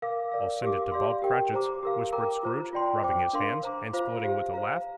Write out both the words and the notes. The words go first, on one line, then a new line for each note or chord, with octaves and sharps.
'I'll send it to Bob Cratchit's,' whispered Scrooge, rubbing his hands, and splitting with a laugh.
A#4 F5 D6
A#4 D5 F5
G4 A#4 F5 D6
G4 D5 F5 C6
G4 A#4 G5
G4 C5 A#5 D6
G4 A#4 F5
A#4 G5 A#5 D6
F4 C5 A#5
F4 D5 G5 C6
C5 G5 D6
D4 A#4 F5 C6
C5 A#5 D6
F4 C5 F5
G4 C5 F5
C5 F5 A#5